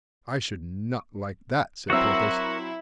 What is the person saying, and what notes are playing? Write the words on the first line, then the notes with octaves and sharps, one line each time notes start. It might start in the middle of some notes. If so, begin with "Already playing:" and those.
"I should not like that," said Porthos.
F#3 C4 E4 F#4 A#4 E6